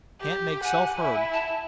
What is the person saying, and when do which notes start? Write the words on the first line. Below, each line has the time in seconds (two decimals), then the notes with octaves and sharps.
Can't make self heard.
0.21 G4
0.64 F#5 G#5
0.98 E4
1.33 A5